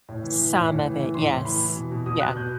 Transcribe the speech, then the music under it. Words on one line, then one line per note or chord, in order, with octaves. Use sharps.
Some of it, yes, yeah.
A2
E3
E3
A2
A2
E3
E3
A2 C6
A2
E3 B5
E3
B2
B2
B2 D#6
B2 F#6
B2 G6